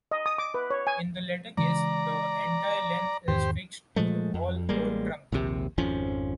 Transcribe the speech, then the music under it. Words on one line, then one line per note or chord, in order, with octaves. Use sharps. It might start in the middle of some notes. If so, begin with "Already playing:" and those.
In the latter case, the entire length is fixed to the wall or trunk.
D#5
D#6
D6
B4
C#5
G#5
C#3 E3 G#3 D5 A#5
E2 G#2 D#3 G4 C5
A#2 F3 G#3 A3
F2
A1 G3 G#3 A#3
A#1 D#2 C3
G#1 F2 F3 C#4